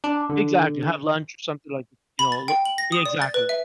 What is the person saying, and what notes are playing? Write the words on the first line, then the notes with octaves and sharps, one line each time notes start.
Exactly, have lunch, something like, you know, lo Exactly.
D4
D3
B5
A6
G5
F#7
A#6
D#6
D5
A6
B4
E5